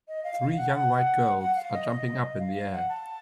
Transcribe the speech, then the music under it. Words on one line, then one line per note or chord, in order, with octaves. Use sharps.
Three young white girls are jumping up in the air.
D#5
F5
F5
F#5
A5
F#5
F#5
F5
D#5
D#5
F5
F5
F#5
A5